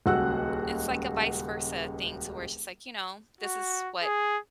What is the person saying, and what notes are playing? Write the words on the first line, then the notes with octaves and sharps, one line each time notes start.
it's like a vice versa thing to where it's just like, you know, this is what
D#1 C#2 F#4 F#5 E6 F#6
F#4
G#4